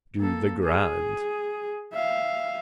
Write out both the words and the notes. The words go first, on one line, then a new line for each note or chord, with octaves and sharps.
Do the grand.
A#3 A4
G#4
E5 F5